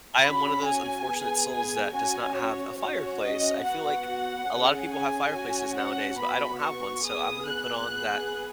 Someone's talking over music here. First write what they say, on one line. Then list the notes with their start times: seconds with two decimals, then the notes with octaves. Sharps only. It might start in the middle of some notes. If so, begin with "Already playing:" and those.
I am one of those unfortunate souls that does not have a fireplace. I feel like a lot of people have fireplaces nowadays, but I don't have one, so I'm gonna put on that
0.23 C#4 F#4 B5
0.66 G#5
1.09 B3 G#4
1.51 G#5
1.93 C#4 F#4 G#5
2.36 C#5
2.78 C#4 F#4 C#5
3.21 D#5
3.64 B3 F#4 F#5
4.48 C#4 G#4
4.91 G#5
5.34 C#4 F#4
5.77 F#5
6.19 B3 F#4 B5
6.63 C#6
7.04 B3 G#4 D#6
7.47 F#6
7.90 B3 G#4